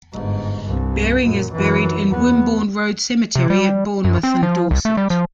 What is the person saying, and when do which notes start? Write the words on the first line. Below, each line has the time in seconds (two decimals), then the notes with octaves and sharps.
Baring is buried in Wimborne Road Cemetery at Bournemouth in Dorset.
0.12 G1 G#2
0.65 C2 G2
1.23 F#2 A#2
1.53 F#2 E3
2.08 E2 B3
3.35 C3
3.50 G3
4.04 F#2
4.23 C4
4.43 F3
4.71 C2
4.85 A3
4.97 G3
5.10 F3